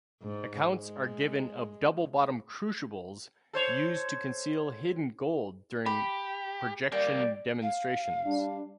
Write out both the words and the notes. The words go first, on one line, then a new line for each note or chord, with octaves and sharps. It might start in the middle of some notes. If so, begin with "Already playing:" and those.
Accounts are given of double-bottomed crucibles used to conceal hidden gold during projection demonstrations.
G#2
G#3
A4 C5 C#5
G4 B5
G3 A#3 D5 G5
F5
G3 D4